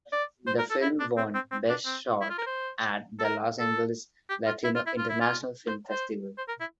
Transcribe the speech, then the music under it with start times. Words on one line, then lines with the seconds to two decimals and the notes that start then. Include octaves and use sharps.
The film won Best Short at the Los Angeles Latino International Film Festival.
0.12 D5
0.47 C5
0.58 A#4
0.70 A4
0.82 E4
1.00 D4
1.17 C4
1.34 C4
1.51 C4
1.69 D4
1.86 C4
2.21 E4
2.30 F4
2.38 A#4
2.46 C5
3.19 A4
3.24 A#4
3.60 A4
4.29 G4
4.46 F4
4.64 E4
4.75 F4
4.87 E4
4.98 F4
5.09 E4
5.21 F4
5.68 C5
5.90 C5
6.38 C5
6.48 A#4
6.60 E4